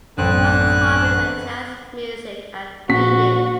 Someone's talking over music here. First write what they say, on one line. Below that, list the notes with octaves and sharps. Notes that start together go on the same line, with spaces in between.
Rusol's hobbies are jazz music and reading.
A1 F#2 D3 B3 C4 F#6
A#1 F#4 B6